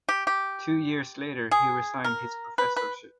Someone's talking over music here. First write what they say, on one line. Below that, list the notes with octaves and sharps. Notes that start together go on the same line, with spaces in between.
Two years later he resigned his professorship.
G4
G4
G#4
A#4
B4
B4